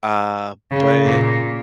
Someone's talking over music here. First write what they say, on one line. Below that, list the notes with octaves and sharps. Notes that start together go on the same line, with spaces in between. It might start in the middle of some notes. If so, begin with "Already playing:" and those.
uh, but
C#3
A#2